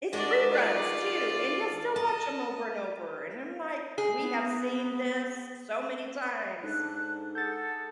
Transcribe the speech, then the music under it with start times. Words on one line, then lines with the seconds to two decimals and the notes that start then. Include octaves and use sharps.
eh, it's reruns too, and he'll still watch 'em over and over, and I'm like, "We have seen this so many times."
0.13 D#3 G#3 D4 F#4 D5
0.52 F4 D5
1.96 D#5 A5
3.98 G#4
4.20 B3
6.63 G#2 D4 A4 F#6
7.35 G#4 A4 F#5 G6 A6